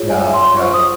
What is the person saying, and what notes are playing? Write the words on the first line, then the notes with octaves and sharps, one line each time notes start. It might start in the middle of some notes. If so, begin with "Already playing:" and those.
Yup, yup.
Already playing: F4 G#4 C#5
G#5
C6
F4 C5 C#6
D#6